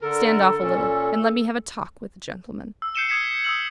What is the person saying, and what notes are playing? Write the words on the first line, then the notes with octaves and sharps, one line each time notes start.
"Stand off a little, and let me have a talk with the gentleman."
D3 A4 A#4
A#2 C#4
E6
G6 C7 C#7 D#7 E7 G7
D#6 G#6 B6 C#7 E7
D#6 E6 F#7